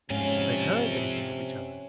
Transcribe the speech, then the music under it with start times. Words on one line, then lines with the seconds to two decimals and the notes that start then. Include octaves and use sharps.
Had they heard anything of each other?
0.10 F2 G#2 C3 C#4 F5